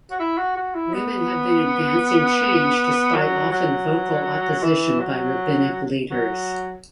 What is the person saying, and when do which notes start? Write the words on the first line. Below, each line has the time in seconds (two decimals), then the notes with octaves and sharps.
Women have been advancing change despite often vocal opposition by rabbinic leaders.
0.11 F#4
0.19 E4
0.38 F#4
0.56 F#4
0.75 E4
0.93 B3
3.15 F#3
3.51 F#3
4.63 E3
5.00 F#3
6.10 F#3